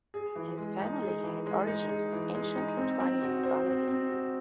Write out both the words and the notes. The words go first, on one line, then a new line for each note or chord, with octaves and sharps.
His family had origins of ancient Lithuanian nobility.
G#4
E3
G#3
D#4
G#4
E3
G#3
D#4
G#4
E3
G#3
D#4
C4
C4
F#4
C5
C4
C4
F#4